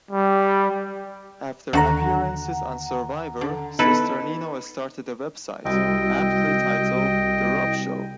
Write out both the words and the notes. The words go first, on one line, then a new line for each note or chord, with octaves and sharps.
After appearances on "Survivor", Cesternino started a website, aptly titled "The Rob Show".
G3
D#2 D3 F#4 F#5 A#5
D3
B3 D#4 E4 A4 B4
C2 G3 F#4 D#5 G5 E6